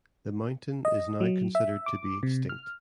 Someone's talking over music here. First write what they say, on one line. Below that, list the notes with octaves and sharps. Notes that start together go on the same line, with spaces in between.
The mountain is now considered to be extinct.
D#5
F#3
E5
D6
C3
F6